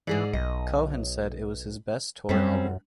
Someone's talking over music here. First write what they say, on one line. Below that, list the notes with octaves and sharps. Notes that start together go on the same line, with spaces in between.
Cohen said it was his best tour ever.
G#2 E3 G#4 D5
B1 D#5
F#2 G3 C4 C#4